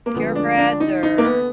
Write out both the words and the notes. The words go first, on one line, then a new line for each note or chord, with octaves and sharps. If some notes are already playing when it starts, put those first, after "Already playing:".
purebreds or
A#3
D2 D3 F3 G#3 B3
D4
D4
D#4
D#4
A#3
B3